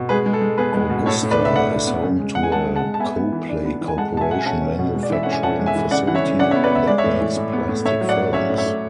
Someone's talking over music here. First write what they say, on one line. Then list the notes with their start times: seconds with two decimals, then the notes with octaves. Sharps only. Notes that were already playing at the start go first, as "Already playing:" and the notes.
Augusta is home to a Clopay Corporation manufacturing facility that makes plastic films.
Already playing: B2
0.09 G#3 G#4 B4
0.26 G#3
0.33 A4
0.42 G#3
0.58 B3 G#4 B4
0.74 G#3
0.90 B2
1.06 A2 A4 C#5
1.23 A2
1.31 B4 D5
1.38 D4
1.45 E5
1.55 A2 D5 F#5
1.72 D4
1.87 B3
2.03 C#3
2.20 G#3
2.35 G#3 F#5
2.43 G#5
2.52 G#3 F#5 A5
2.69 G#3
2.76 F#5 A5
2.84 G#3
2.94 A5
3.00 B3 E5 G#5
3.16 B3
3.32 E3
3.49 D4
3.65 B3
3.81 E3
3.88 G#5
3.97 G#3 F#5 A5
4.13 B2 A5
4.21 E5 G#5
4.30 B2 F#5
4.39 G#5
4.46 C#4 F#5 A5
4.61 C#4
4.79 B2
4.95 G#3
5.03 D5
5.10 E3 E5
5.23 C#4 F#5
5.32 G#5
5.43 C#4 F#5 A5
5.59 G#3
5.66 E5 G#5
5.75 E3
5.91 C#3 D5 F#5
6.07 E3 F#5
6.15 C#5 E5
6.24 C#3
6.39 C#3 D5 F#5
6.51 C#5 E5
6.56 B3
6.64 B4 D5
6.71 B3 E5
6.87 G#3 D5
6.98 C#5 E5
7.04 A2
7.21 E3
7.36 A2
7.53 B3
7.69 A2
7.85 A2 C#5 E5
8.01 F#3
8.09 D5 F#5
8.17 F#3
8.33 C#4 C#5 E5
8.50 A2
8.58 C#5 E5
8.66 A2